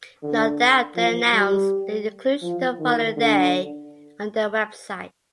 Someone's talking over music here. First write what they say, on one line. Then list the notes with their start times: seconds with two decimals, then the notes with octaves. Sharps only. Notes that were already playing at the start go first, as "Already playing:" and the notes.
No Doubt then announced their inclusion the following day on their website.
0.22 D3
0.96 F3
1.32 G3
2.42 F3
2.79 D#3
3.16 D3